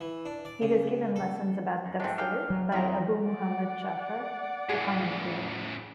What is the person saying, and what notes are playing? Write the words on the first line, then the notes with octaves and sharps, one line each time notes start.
He was given lessons about Tafsir by Abu Muhammad Ja'far, a commentator.
E3
D4
D5
C#3
A4
F#2
G#2 G#3 A3 C4 D4
D4 G#4 F5 G5
F#3
F2 D#3 C#4 E4 F4 A#5
D5 F#5
A2 C#3 G#4